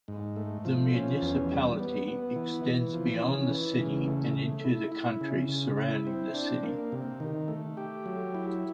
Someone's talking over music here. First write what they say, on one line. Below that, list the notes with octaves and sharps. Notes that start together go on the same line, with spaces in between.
The municipality extends beyond the city and into the country surrounding the city.
G#2
A3
F3
C#4
E2
G3
B3
B3
E3
E3
F3
C#4
E3
C#3
A3
A3
E4
E4
C#3
C#3
E4
C4
D4
A#3
C3
D#3
A3
G4
F#3
E4